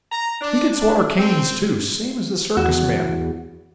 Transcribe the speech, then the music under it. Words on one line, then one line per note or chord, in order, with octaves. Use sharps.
He could swaller canes, too, same as a circus man.
A#5
D4
D4
C4
E2 F#4